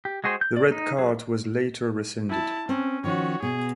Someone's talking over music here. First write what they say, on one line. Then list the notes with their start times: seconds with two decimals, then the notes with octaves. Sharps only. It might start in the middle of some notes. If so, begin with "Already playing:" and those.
The red card was later rescinded.
0.05 G4
0.24 G#3 F#4 G#4 C5 G5
0.41 G6
0.57 D5
0.72 D#4
0.98 F#3 G#4
2.29 E4 A5
2.69 C4 C#4
3.04 D#3 F3 C#4 F#4 C#5
3.43 B2 G#4